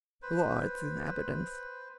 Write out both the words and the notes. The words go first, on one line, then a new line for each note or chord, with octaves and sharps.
Who are its inhabitants?
B4 C5